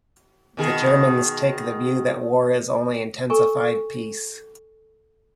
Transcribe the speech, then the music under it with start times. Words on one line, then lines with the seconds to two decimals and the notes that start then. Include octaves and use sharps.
The Germans take the view that war is only intensified peace.
0.57 B2 D#3 G#4
3.30 A4 A#4 G#5 C#6